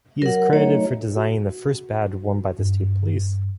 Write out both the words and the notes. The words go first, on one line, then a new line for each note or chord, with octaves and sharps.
He is credited for designing the first badge worn by the state police.
F#3 A#4 F#5
F#3 A3 D#4 C#5
F#4
G2